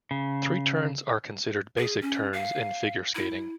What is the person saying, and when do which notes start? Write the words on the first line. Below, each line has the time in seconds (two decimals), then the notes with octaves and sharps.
Three turns are considered basic turns in figure skating.
0.11 C#3
1.78 G#4
2.01 C#4
2.33 F5
3.15 E4